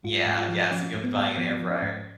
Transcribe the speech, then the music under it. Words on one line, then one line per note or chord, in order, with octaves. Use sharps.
Yeah, yes, and you'll be buying an air fryer.
G#2 F4
G#2
F4
F3
F3 C#4
G#2
B3
G#2
F3 B3
F3
C#4
G#2